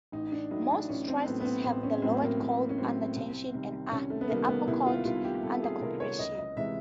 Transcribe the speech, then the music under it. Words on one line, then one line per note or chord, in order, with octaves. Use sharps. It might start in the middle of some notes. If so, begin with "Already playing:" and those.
Most trusses have the lower chord under tension and the upper chord under compression.
A1 D#4
D4
A2 F#3 A3 D#4
D4
A1 C#4
C4
A2 F#3 A3 B3
B3
C4
A1 C4
C#4
A2 F#3 A3 C4
A#3
A1 A#3
C#4
A2 F#3 A3 C4
C2
C3 D#3 G3
C2 C#4
A3
B3
C3 D#3 G3 A#3
B3
C2 E4
F4
C3 D#3 G3 F4
G4
C2 A4
G#4
C3 D#3 G3 A#4
C#5
C#2 D#5
D#5
C3 E3 G#3 E5